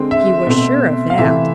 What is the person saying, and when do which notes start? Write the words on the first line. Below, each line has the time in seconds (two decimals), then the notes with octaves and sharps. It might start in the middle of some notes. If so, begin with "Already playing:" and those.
He was sure of that.
Already playing: D3 G#3 C4
0.11 E5
0.47 B2 A3 C4
1.10 F5
1.18 C3 E3 A3 C4 E5